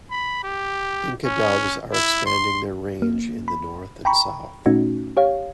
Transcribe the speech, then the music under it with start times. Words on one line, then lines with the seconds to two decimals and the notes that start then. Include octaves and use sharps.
Inca doves are expanding their range in the north and south.
0.11 B5
0.44 G4
1.25 C#4
1.93 E4
2.26 C6
3.02 A#3
3.48 B5
4.05 G5 A#5 B5 C#6
4.66 A#2 A3 C#4 D#4 F#4
5.17 G4 C#5 F5